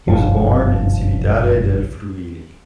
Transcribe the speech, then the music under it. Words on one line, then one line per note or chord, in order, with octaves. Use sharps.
He was born in Cividale del Friuli.
F#1 B1 G2 F3